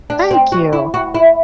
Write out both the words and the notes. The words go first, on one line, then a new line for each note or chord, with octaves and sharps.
Thank you!
D4
C4
F#4
E4
F#4
E4